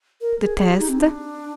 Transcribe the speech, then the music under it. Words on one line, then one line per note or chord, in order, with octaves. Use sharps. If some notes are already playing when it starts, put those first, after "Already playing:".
"The test?"
A#4
G#4
G#4
G4
D#4
C4
D4